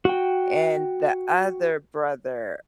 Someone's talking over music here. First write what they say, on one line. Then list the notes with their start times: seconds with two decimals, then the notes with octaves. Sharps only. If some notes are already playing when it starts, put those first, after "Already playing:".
and the other brother,
0.05 F#4 G5